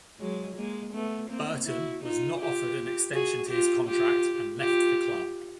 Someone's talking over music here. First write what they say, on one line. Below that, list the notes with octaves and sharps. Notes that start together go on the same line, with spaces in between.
Burton was not offered an extension to his contract and left the club.
F#3 G#3
G#3 A#3
A3 B3
A#3 C4
E4 F#4
D#4 F4
F4 G4
F#4 G#4
F4 G4
F4 G4
F4 G4